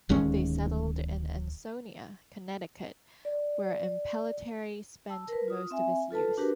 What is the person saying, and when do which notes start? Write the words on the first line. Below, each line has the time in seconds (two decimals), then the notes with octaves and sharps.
They settled in Ansonia, Connecticut, where Impellitteri spent most of his youth.
0.09 D1 D#2 G#3 C#4
3.25 D5
5.09 A5 E6
5.28 A#4 B4
5.48 F4 D#6
5.71 C4 E5 G#5
6.10 F4 A4 B4 A5
6.38 D4 F#4 G4 A#4 B4